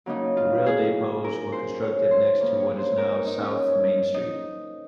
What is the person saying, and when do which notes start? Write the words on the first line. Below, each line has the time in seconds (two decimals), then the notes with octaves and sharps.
The rail depots were constructed next to what is now S. Main Street.
0.06 C#3 F#3 A#3 D#4
0.37 F4
0.66 G#4
1.24 A#4
1.52 C5
1.82 C#5
2.11 C5
2.40 C#3 F3 A#3 C#5
2.60 C#5
2.78 C5
2.98 A#4
3.12 D#4
3.27 D#4
3.42 C#4
4.14 D#4